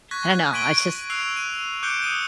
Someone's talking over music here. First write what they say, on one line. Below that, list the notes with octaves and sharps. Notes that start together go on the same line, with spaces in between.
I don't know, I just
C#6 F#6 G#6 A#6 B6
G#6 B6 D7 D#7 F#7 G7
E6 F#6 C7 F7
D#7
D6 F#6 G6 C#7 D7 G7
D#6 C#7 D#7 G7